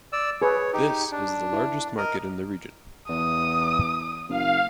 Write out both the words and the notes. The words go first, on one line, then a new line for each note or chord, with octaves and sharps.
This is the largest market in the region.
D5 E6
G#4 B4 C#5
D#4 G4
D4
E4
A#4 D#5
E2 D#6
F#1 F5